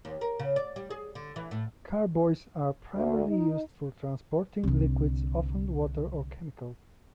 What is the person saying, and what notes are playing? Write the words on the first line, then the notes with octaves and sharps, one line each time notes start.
Carboys are primarily used for transporting liquids, often water or chemicals.
D#2
A#4
C#3
D5
G3
G#4
D3
E3
A2
D2
D#4
C2 D3